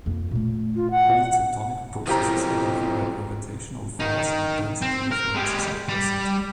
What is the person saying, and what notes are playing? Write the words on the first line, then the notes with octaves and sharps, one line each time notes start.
All tectonic processes are driven by gravitational force when density differences are present.
F2 A#3
A#2 A3
F4
F#5
B1 F2 D#3 E4 G4 C5 A#5
D#3 D#4
C4
A#4
G#3 G4
G3